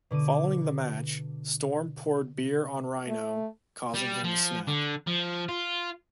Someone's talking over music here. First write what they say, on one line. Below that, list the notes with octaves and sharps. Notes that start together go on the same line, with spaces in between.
Following the match, Storm poured beer on Rhino, causing him to snap.
B2 D3 D6 D#7
A3
G3
F3
D3
F3
F4